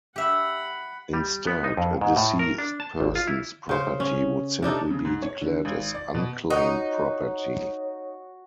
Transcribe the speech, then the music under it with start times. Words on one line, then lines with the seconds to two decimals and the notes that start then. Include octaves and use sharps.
Instead, a deceased person's property would simply be declared as unclaimed property.
0.16 G4 E5 F#5 B5
1.13 G3
1.47 B3
1.64 D#4
1.77 F2
2.01 G#2
2.17 A2
2.39 A#4
2.58 D4
2.80 A5
3.00 G#1
3.15 F4
3.27 E4
3.69 C#3 C5
4.00 C#4
4.62 C3 D4 D#4 A4
4.90 C#3
5.05 G#2
5.22 C#5
5.42 D3
5.65 G#1
5.94 D5
6.14 B2
6.50 D#4 F#4 C#5